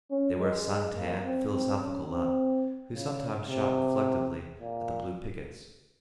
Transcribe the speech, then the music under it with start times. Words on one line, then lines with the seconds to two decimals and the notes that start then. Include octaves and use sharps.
They were a sun-tanned, philosophical lot, who sometimes shot reflectively at the blue pickets.
0.11 C#4
0.39 G#3
0.95 A#3
1.24 C4
1.52 C4
1.80 C#4
2.07 C4
2.92 C#3
3.48 C3
4.61 A#2